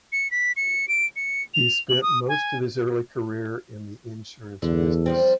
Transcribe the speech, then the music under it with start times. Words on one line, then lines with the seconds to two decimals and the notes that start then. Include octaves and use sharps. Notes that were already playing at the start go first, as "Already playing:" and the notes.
He spent most of his early career in the insurance business.
0.12 C#7
0.31 B6
0.57 C#7
0.88 D7
1.16 C#7
1.54 F7
1.89 F#7
2.02 D#6
2.28 G#5
4.62 E2 D3
5.06 F3 G3 C4